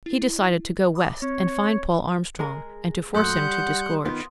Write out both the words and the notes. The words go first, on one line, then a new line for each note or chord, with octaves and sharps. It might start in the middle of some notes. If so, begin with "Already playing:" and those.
He decided to go west and find Paul Armstrong, and to force him to disgorge.
E4
B5 D6 D#6
C4 C#5
G#3 G#4 A#4
F#2 A#2 A3 F#5 C6 D#6 F#6 G6
G3
D#3 B3 F4